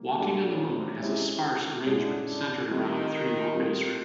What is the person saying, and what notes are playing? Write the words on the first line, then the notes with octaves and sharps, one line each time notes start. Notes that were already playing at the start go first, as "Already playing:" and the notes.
"Walking on the Moon" has a "sparse" arrangement, centred around a three-note bass riff.
Already playing: G3 A#3
D3 G3 A#3 D4 F#4
C#3
C3
C3 G#3 C#4 E4 G#4
C3
D3 G#3 C#4 E4 G#4
D3
D#3 G3 C4 F4
G3 C4 F4